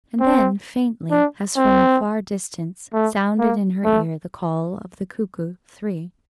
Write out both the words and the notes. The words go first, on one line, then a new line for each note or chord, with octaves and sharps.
And then faintly, as from a far distance, sounded in her ear the call of the cuckoo--three.
C4
D4
C4
A3
A#3
A3